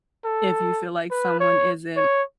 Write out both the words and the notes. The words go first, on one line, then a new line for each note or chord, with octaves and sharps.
if you feel like someone isn't
A4
B4
C#5
C#5